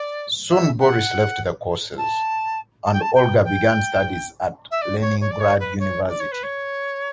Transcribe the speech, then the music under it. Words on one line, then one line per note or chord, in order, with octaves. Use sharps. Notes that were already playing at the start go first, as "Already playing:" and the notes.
Soon Boris left the courses, and Olga began studies at the Leningrad University.
Already playing: D5
E5
F#5
A5
A5
G5
A5
G5
G5
E5
D5
C#5
C#5
D5
C#5
B4
C#5
D5
C#5
B4
C#5